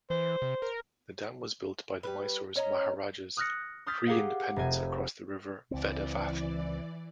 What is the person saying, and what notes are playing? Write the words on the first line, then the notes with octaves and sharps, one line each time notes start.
The dam was built by the Mysore Maharajas pre-independence across the river Vedavathi.
E3 C5
C3
A#4
G3 B4
C#4 C#5 D#5 A#5
D#6 F6 F#6 A6 A#6 C#7
C6 D#6 F6 G6 A6 B6
G4 G#4 A#4 F5 F#5
F1 C3 G#5
C#2 E3 C4 D5